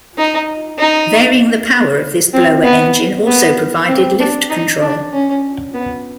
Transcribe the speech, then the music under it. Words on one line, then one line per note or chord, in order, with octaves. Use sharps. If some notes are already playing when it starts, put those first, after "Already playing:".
Varying the power of this blower engine also provided lift control.
D#4
D#4
C4
B3
B3
C4
D4
D#4
D4
C#4
B3